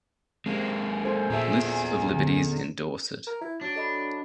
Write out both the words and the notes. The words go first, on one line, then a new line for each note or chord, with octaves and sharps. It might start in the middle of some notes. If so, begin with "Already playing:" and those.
List of liberties in Dorset.
G#3 A#3 C4
G#5
A4 C5
A#2 B3 G#4 E5 A5
D3
A#4
E4
F#3 D4
A4 D#5 B5